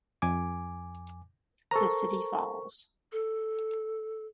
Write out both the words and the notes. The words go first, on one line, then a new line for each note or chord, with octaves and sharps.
The city falls.
F2 G#5 D6
A4 A#4 C5 A#5 C#6
A4